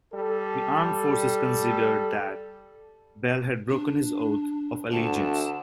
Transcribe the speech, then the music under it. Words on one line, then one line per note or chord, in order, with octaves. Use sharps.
The armed forces considered that Bell had broken his Oath of Allegiance.
G3 A4
D4
D2 A5